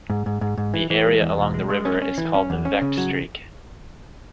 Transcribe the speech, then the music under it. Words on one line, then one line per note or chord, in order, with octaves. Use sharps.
The area along the river is called the "Vechtstreek".
G#2
G#2
G#2
G#2
E3
E3
G#3
E2
B2
G#3
G#3
C#4
C#4
E3
C#4
E2
C#4
C#3
F#3